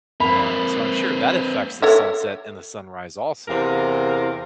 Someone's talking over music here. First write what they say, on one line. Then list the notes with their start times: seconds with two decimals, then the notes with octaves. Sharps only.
Um, so I'm sure that affects the sunset and the sunrise also.
0.20 A#3 C4 B5
1.82 A4 C#5 E5
3.48 E2 C3 A#4 F5